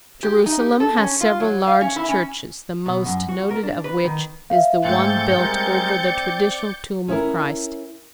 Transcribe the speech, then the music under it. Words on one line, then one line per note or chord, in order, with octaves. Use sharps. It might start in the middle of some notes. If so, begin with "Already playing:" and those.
Jerusalem has several large churches the most noted of which is the one built over the traditional tomb of Christ.
G4
D#4
G4
A4
C#4
F4
F#3
F5
C#4
E4
C#4
B2
F#2
F#4
A#4
D4
B4
D#3
E5 F5
G#2 A3 C4 G6 A6 C#7
G3 G#3 A#4
D5
C#4 E4 A#4